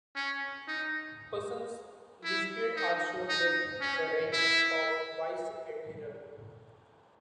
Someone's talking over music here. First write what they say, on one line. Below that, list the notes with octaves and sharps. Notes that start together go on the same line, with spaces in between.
Persons listed are shown with the rank of vice admiral.
C#4
D#4
E4
D#4
D#4
C#4
E4